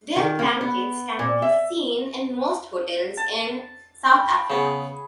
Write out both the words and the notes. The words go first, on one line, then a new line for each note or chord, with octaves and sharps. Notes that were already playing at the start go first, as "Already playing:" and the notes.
Their blankets can be seen in most hotels in South Africa.
D#3
A#3
B3
A#2
E5
A5
G5 B5
C#3 B3 G#4 C#6